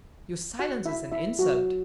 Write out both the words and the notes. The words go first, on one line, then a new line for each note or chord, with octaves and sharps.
"Your silence is an insult!"
F#4 F#5
E4 E5
E4 E5
F#3 F#4